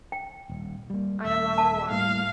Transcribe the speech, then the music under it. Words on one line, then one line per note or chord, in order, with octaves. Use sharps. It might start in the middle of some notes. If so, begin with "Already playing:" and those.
I no longer want it.
G5
D#1
G3 A#3
D#1 E5
A5
A2 G3 A#3 F5